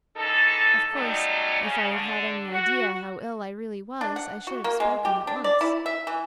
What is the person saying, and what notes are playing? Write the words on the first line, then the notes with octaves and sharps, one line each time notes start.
'Of course, if I had had any idea how ill I really was, I should have spoken at once.'
C#3 E3 D#4 A4
C#3 F#3 G3 A3 D#4
C#3
D3
F#4
D4
F#5
F#4
A#3
G#3
G4
D4
D5
E4
E5
E3